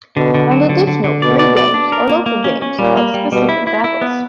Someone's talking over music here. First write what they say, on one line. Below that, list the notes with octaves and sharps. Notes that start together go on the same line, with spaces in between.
An additional three games are local games of specific battles.
B2 D3
D3
F#3
D3
D3
D3
B2 D5
D5
D5
D4
A#4
A#3
A#3
C#4
C#4
A#2 G3
A#3
G3
B2 G3
E4
E4
E4
B3